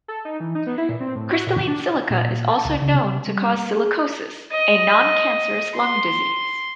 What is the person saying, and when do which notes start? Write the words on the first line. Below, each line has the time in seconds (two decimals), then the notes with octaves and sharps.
Crystalline silica is also known to cause silicosis, a non-cancerous lung disease.
0.08 A4
0.25 D#4
0.40 E3
0.55 D#4
0.67 B3
0.78 E4
0.89 A#2
1.01 C4
1.16 A2
1.31 F#4
1.47 A#2
1.68 D4
2.10 A#2
2.31 A#2
2.51 A5
2.65 C#2
2.82 C#3
2.94 C3
3.27 G3
3.54 A#3
3.77 G#4
4.52 D#5
5.76 C6